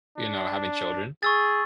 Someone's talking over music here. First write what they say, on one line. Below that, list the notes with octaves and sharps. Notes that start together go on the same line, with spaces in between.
you know, having children.
D4
G#4 C#6 E6 A6